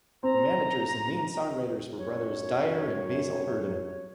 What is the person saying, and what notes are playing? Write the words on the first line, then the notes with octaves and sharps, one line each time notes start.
The managers and main songwriters were brothers Dyer and Basil Hurdon.
C4 A#5
F#2 C#5